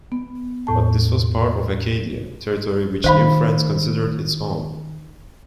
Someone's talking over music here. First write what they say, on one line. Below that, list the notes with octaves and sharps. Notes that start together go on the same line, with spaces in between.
But this was part of Acadia, territory which New France considered its own.
B3
E2 A2 A5
D#3 C5 F5 B5